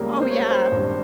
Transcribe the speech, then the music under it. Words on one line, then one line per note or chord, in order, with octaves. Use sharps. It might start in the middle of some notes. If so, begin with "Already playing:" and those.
Oh yeah,
Already playing: C#2 C#3 G3 A#3
C5
C#5
C5
G#1 G2 G3